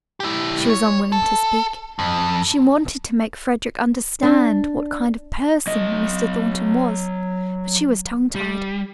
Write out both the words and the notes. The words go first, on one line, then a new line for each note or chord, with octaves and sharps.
She was unwilling to speak; she wanted to make Frederick understand what kind of person Mr. Thornton was--but she was tongue-tied.
E4 G4
C#5
A4
F2
D4
F#3 D#5
G3